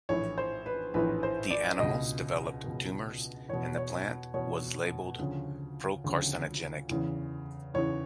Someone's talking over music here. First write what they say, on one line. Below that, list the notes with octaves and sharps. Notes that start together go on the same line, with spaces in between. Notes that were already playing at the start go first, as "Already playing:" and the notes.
The animals developed tumors, and the plant was labeled procarcinogenic.
A#1 A2 E3 C#5
C5
B4
A#1 A2 E3 B4
C5
D5
C#2 B2 D#5
C#2 B2
E2 B2 C#5
C#5
E2 B2 C#5
D2 C#3 F3
D2 C#3 F3
E2 C#3 E3
E2 C#3 E3 C#5